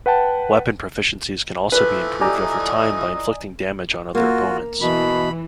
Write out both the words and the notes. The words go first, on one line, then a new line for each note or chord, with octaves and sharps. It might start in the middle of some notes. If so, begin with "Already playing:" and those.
Weapon proficiencies can also be improved over time by inflicting damage on other opponents.
B4 F#5 G5 A5
E3 F3 A3 B4
G4 D5 D#5 G#5 A#5
A#3 F4 F#4
B2 E3 B5